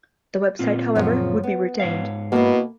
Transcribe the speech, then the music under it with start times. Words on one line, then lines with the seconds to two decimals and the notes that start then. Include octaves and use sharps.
The website, however, would be retained.
0.59 A#2 C4 F4
0.95 F#2 C#3 F3
1.43 B3
1.80 G#2 C#5 F5
2.32 B2 A#3 E4